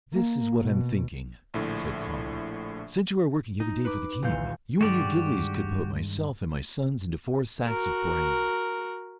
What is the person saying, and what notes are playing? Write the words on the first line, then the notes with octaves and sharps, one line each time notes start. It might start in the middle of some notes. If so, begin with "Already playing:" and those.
"This is what I am thinking," said Conall, "since you are working every day for the king, you and your gillies could put myself and my sons into four sacks of bran."
A#3
B2
A#1 A2 D3
D#4
B4 D6
D#1 E2 F5 G6 C#7
G2 D#3 G#3 F#4 G4 D5
F#4 A#4